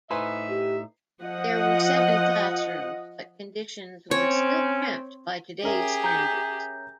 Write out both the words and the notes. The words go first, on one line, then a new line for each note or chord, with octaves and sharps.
There were seven classrooms, but conditions were still cramped by today's standards.
A2 D#4 B4 C5 E5 G#5
G4
F3 D#5 F#5
C4 C#4 C#5
C#4 G4 G#4 A#4 E5
A#5 G6